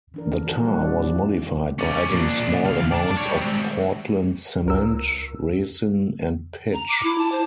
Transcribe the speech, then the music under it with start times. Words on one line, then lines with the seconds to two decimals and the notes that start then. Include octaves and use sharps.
The tar was modified by adding small amounts of Portland cement, resin, and pitch.
0.14 E3 D4 A#4
0.46 D#3 F#4 A4
0.63 A#2 E3 G3 C5 F#5
0.81 C#4 E4 D5
1.79 C#4 D5
2.11 A#2 D4
2.64 D2 F5
2.92 D5 A5
3.17 G3 C#5
3.41 G#3 C4
4.66 C#2 A#4 E6
6.73 A#5
6.89 D6
7.03 E4
7.18 A5
7.32 C5